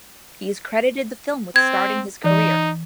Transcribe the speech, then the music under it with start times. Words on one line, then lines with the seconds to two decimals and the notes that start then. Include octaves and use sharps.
He has credited the film with starting his career.
1.56 C4 G#6
2.24 E3 D#4 D5